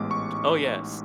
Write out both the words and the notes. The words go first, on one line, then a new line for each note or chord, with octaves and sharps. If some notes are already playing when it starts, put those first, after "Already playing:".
Oh, yes."
Already playing: A1 G#2 G#3 B3 D6
C#6